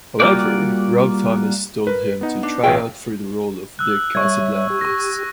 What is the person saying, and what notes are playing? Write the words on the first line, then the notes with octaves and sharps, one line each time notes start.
However, Rob Thomas told him to try out for the role of Dick Casablancas.
G3 A#3 F4 F#4 D5
A#4 B4
B3 D#4 F#5
D4
A1 F4 G#4 C#5 E5 G5
E6 F#6
G3 C#5 E5 C#6 G#6
G4
C#6 A#6